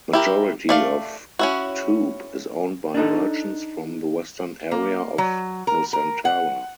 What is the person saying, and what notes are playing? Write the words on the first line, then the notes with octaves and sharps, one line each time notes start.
Majority of toop is owned by merchants from the western area of Nusantara.
E4 G4 A#4
A3 D5 F5
C#4 E4 F#4
D4 D#4 A4
A#3
F#3
A#4
A#4
F#5